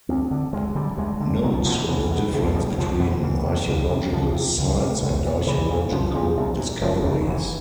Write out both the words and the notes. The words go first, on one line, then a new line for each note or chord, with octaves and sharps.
Note the difference between archaeological sites and archaeological discoveries.
D2 C4
D3
D2 G#3
D3 G3
D2 G#3
D3
C2 D#3
F3
B2 F3
E3
C2 E3
B2
C2
F3
B2 G3
G#3
F#3
C2 F3
B2 E3
F3
C#2 E3
C3
C#2
C3
C#2 F3
C3
C#2
C3
C2
A#2
C2 E3
A#2
C2 F3
A#2 F3
C2
A#2
F1 F3
E3
D#2 C#3
D#3
F1 E3